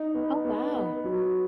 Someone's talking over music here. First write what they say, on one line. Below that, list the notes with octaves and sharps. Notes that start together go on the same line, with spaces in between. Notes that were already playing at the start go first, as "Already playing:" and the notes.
Oh, wow.
Already playing: D#4
B3
B3
B3
F#3